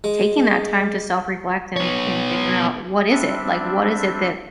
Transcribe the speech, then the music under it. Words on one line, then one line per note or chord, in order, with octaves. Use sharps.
taking that time to self-reflect and and figure out what is it, like, what is it that
G#3
B3 C#5
G3 C4 D4 E5